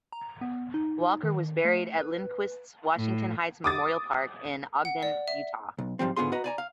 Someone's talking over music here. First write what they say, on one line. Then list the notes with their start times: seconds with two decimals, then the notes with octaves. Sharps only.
Walker was buried at Lindquist's Washington Heights Memorial Park in Ogden, Utah.
0.12 A#5
0.41 B3
0.74 D#4
1.23 D#3
1.65 A3
1.98 B4
2.96 A2
3.64 D6 D#6 A6
4.85 F#5
5.03 D5
5.28 E5
5.78 B1
5.99 G#2 F3 G3 C4
6.16 G#2 D3 B3 F4 G#4 C6
6.32 F#4 B4 D#5 A#5
6.44 D5 G#5 A#5
6.58 F5